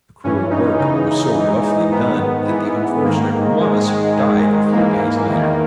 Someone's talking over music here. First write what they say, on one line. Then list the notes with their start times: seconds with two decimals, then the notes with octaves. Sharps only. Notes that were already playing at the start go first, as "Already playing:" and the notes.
The cruel work was so roughly done that the unfortunate Romanus died a few days later.
0.24 G2 E3 C#4
0.51 D#4
0.79 E2 C#3 E3 D#4
1.36 G#2 E3
1.91 G#2 D#3 B3
2.48 G#2 E3 B3
3.04 G#2 D#3 A#3
3.60 G#2 D#3 G#3
3.89 G#3
4.16 G#2 D#3 G#3
4.73 G#2 E3 A#3
5.29 E2 D#3